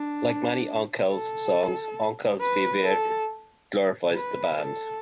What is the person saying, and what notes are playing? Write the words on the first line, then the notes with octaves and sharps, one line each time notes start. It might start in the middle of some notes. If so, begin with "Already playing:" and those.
Like many Onkelz songs, "Onkelz wie wir" glorifies the band.
Already playing: D4
A4
B4
A4
B4
A4